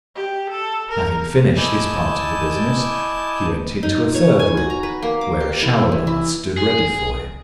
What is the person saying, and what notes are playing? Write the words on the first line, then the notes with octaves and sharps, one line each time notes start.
Having finished this part of the business, he went into a third room, where a shower bath stood ready for him.
G4
A4
A#4
E4 D5 D#5 G#5 A5 G6
D#4
C#5
G#5
F#4
A#5
B4
A#3
D6
G4
E4
E3
E4
G#4